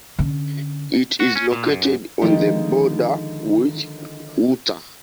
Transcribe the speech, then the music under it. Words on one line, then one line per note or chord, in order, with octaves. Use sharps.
It is located on the border with Utah.
D3 C#4
F#4
C#4
A#2
F#2
D3 D#3 F3 G#3 D#4 G4